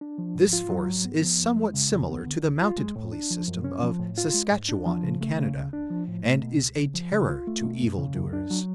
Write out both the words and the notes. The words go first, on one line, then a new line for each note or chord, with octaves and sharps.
This force is somewhat similar to the mounted police system of Saskatchewan in Canada and is a terror to evil doers.
D4
F3
G#2
F4
F#3
G#2
B3
F3
F2
G#3
C#3
F2
B3
D3
D2
F4
G#3
A2
D4
F3
F#2
C#4
F3
A2
F4
G#3
G#2
D4
F3
C#3
A3
C#3
D2
D4
F3
A2
A3
B2
C#2
C#3
F3
C#3
F4
A3
B2
F#2
C#3
F#2
D4
F#3